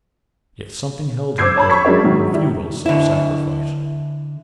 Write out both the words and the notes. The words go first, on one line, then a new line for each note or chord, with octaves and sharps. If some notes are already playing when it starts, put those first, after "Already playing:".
Yet something held him there in futile self-sacrifice.
C5 D6 E6 G6 G#6 C7
C#5 A5 B5
B5 C#6 G#6 B6
F#3 G#3 C#4 D4 A#4 D5
G#2 D#3 F#3
G3 E4 G4
D3 E4